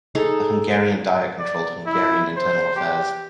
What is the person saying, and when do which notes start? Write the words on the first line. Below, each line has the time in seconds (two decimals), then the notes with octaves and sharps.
The Hungarian Diet controlled Hungarian internal affairs.
0.15 D#4 G#4 A4
1.39 D5
1.86 E4
2.37 C5
2.76 G4